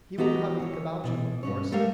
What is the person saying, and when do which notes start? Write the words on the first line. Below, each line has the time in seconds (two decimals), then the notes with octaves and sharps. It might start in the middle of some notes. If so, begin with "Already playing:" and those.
He will have ink about him, of course.
0.18 E3 B3 F#4 G4 D#5 A#5
0.60 E3 C#5
1.04 B2 E3
1.43 G2 C#4 C#5
1.72 G3 A3 A#3 A#4 F5